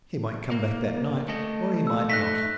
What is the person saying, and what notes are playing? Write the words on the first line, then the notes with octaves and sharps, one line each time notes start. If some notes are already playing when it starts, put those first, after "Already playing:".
He might come back that night or he might not.
A#3
A3 D#5
E6
A3 D#4 F#6 A#6 B6